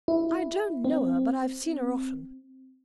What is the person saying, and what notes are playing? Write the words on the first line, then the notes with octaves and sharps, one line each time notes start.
I don't know her; but I have seen her often.
E4
C4